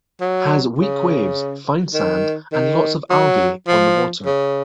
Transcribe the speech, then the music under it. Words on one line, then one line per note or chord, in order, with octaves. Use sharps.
Has weak waves, fine sand and lots of algae on the water.
F#3
C#3
D#3
D#3
F#3
F3
C#3